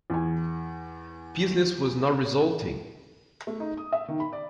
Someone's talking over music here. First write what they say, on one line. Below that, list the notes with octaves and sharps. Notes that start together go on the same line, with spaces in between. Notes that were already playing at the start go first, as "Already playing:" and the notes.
Business was not resulting.
E2 G#5
A3
D#4
D#6
E5
D#3
B5
D5